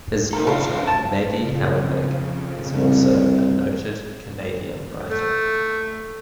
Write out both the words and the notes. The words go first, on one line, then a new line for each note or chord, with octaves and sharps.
His daughter, Maggie Helwig, is also a noted Canadian writer.
D#4 G4 A4 A#4 A#5
A3 C#4 E4 F4 F5
C4 D4 G4
A5
F2 C#3
C2
A3